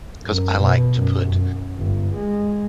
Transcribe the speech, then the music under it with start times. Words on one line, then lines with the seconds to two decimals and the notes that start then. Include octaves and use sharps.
'cause I like to put,
0.23 F#2
0.61 B2
0.94 F#2
1.32 F#2
1.77 G1
2.15 G#3